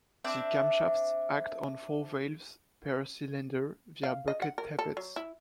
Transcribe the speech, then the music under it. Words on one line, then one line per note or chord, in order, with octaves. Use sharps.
The camshafts act on four valves per cylinder via bucket tappets.
C4 D4 E5 E6
F5
D#5
F#5
A#4
A4
F#3
E4